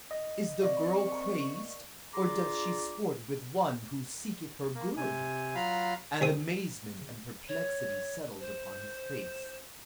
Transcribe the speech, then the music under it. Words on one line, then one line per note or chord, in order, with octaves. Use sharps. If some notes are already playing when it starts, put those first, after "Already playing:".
"Is the girl crazed or doth she sport with one who seeketh her good?" And amazement and perplexity settled upon his face.
D#5
A#3 C4 D5 C#6
D4 F4 G#4 A#5 C6 D6
A#3
C3 G#5
F#3 F4 F5 A#5 B5 F6
C2 C4 D#6
C#5
C5